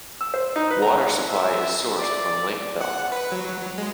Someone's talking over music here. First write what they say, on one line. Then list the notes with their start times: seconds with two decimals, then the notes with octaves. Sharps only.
Water supply is sourced from Lake Belmore.
0.21 E6
0.34 C5
0.56 D#4
0.71 B4
0.82 A#5
1.29 E5
1.98 D5
2.81 F#5
3.12 B4
3.32 F#3
3.78 G#3